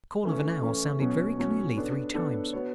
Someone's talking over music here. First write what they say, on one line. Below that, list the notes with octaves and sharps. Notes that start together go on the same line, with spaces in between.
The call of an owl sounded very clearly three times.
E3 A3 C#4
E3 A3 C#4
B2 F#3 C#4
B2 F#3 C#4
B3 D4 A4
B3 D4 A4
B3 F#4 C#5